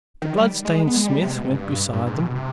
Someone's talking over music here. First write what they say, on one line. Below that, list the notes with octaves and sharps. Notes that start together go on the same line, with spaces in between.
The bloodstained smith went beside them.
D#3
G3
G#3
B3
G#3
G3
C3
B2
G2
G2
G#2
C3
B2
C3